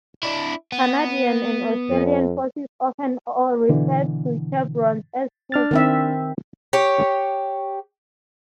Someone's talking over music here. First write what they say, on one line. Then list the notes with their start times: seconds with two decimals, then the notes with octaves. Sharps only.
Canadian and Australian Forces often refer to chevrons as "hooks".
0.23 D4 E4
0.72 B3
1.91 F2
3.69 B2 D3 E3
5.52 D4 F6 A6
5.71 D#3 C4 E5
6.73 G4 C#5